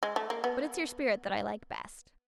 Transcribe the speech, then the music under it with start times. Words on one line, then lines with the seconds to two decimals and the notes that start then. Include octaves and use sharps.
But it's your spirit that I like best.
0.03 G#3
0.16 A3
0.30 A#3
0.44 B3